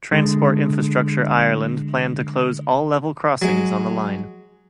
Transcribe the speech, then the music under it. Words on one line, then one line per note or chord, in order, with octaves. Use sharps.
Transport Infrastructure Ireland planned to close all level crossings on the line.
D3 G#3
F#3 G#3